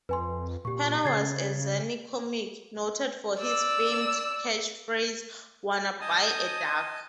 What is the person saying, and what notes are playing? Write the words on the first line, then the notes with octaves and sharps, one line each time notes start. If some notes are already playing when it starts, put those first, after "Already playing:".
Penner was a zany comic, noted for his famed catchphrase, Wanna buy a duck?
F2 B4 G#5 C6
A#2 G4 C#6
C#3 G#6 A6 C7
D5 E6
D#5 G#5 A5 D#6 G6